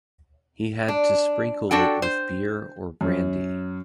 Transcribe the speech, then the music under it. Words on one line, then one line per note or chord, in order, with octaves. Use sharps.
He had to sprinkle it with beer or brandy.
D4
D4 F#4 A4 G5
C5
F#2